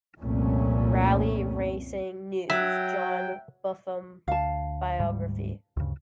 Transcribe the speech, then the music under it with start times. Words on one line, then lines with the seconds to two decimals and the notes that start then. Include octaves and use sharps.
"Rally Racing News" John Buffum biography.
0.19 C2 F2 A#2 A3 C#4
2.50 F#3 E5 G5
4.28 D2 F5 A5
4.99 D2 G#2 G3
5.77 D2 G2 C#3